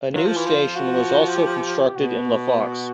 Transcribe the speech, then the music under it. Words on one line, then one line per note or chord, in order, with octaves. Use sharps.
A new station was also constructed in LaFox.
F#3 F4
F3
E3
F3
F#4
G4
B2 F#4